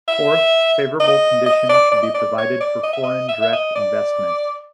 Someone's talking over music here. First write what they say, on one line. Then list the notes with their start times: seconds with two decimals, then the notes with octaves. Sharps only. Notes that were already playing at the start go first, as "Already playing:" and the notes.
Fourth, favorable conditions should be provided for foreign direct investment.
0.08 E5
1.00 D#5
1.46 D#5
1.69 D5
1.92 D5
2.03 D#5
2.14 D5
2.38 C#5
2.61 D5
2.83 D#5
2.93 E5
3.03 D#5
3.29 E5
3.42 E5
3.53 D#5
3.75 D5